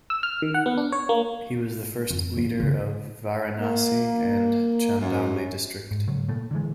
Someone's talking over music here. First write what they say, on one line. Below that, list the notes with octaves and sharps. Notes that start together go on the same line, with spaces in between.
He was the first leader of Varanasi and Chandauli district.
E6
F6
D#3
F#5
B3
D4
C#5
A#3
F2
A#2
C#3 G#3
A#3
F#2
G#2
G#2 C#3 F#3
A#2 A3
D3 E3 G#3